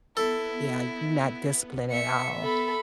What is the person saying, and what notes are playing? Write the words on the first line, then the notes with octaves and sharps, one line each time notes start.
yeah, you not disciplined at all.
B3 E4 A4
E5 C#7
A4 B5